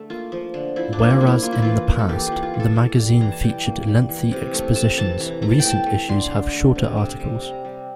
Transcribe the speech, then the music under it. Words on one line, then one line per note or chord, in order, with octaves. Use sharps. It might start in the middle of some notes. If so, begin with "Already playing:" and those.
Whereas in the past, the magazine featured lengthy expositions, recent issues have shorter articles.
Already playing: D3 A3
A#3 F4
F3
D3
F3 E4
D4
A#3 F4
E4
A#3
E4
A#3 F4
E4
E3 F4
A#3
A4
E3 G4
F4
E3
F4
E3
A4
A#3 A4
G3
C6
E3 A#5
A5
G3 G5
A#3
G3
E3
C3
A3
A3 A5
A#5
E3 A5
E3 A#5
A3 A#5
A5
G5
A3 A5
A3
D3 C6
D3
A3
C3
C3
G3
G3 A#5
G3